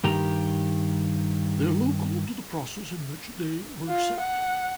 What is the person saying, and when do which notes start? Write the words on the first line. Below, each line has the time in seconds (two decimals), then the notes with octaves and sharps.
They are local to the process in which they were set.
0.04 G2 D#3 G4 A#5
3.89 F4
4.20 F#5